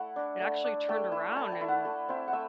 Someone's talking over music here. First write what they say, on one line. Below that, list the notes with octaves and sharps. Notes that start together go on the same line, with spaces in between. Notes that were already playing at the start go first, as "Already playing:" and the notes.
it actually turned around and
Already playing: A3 E4 F#5
D4
A3
D4
A3 G5
E4
A3 G5 A5
G5
E4
F#5
A3
C4 E4
F#5
A3 E5